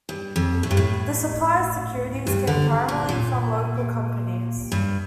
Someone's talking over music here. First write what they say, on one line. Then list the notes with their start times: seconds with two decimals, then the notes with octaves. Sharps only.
The supply of securities came primarily from local companies.
0.09 G2
0.36 F2
0.63 A2
0.71 G2
0.77 A2
2.27 G2
2.47 D3
2.89 A#2
3.09 A#2
4.72 G2